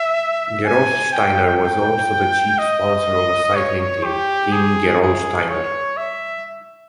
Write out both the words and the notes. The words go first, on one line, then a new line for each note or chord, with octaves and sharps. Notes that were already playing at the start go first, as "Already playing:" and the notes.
Gerolsteiner was also the chief sponsor of a cycling team, Team Gerolsteiner.
Already playing: E5
G#5
G5
D#5
C#5
G4
G#4
G#4
C#5
E5